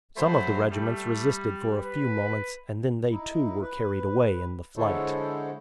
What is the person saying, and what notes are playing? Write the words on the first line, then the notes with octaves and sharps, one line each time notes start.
Some of the regiments resisted for a few moments, and then they too were carried away in the flight.
F#3 A3 C5 B5
G3 A3
B4
D#4 E4
B4
D3 G#3 E4 A4 C5 C#5